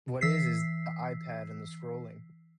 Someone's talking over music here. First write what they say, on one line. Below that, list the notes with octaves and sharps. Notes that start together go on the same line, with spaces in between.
What it is is the iPad and the scrolling.
E3 E6 B6 C7